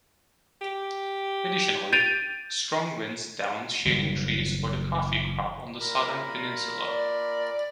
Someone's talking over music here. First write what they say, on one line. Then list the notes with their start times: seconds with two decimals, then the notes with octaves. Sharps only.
Additionally, strong winds downed shading trees for the coffee crop on the southern peninsula.
0.61 G4
1.93 G6 A6 D7 D#7 F7
3.85 F#1 D#3 G3
5.81 A#2 A#4 B5
6.88 D5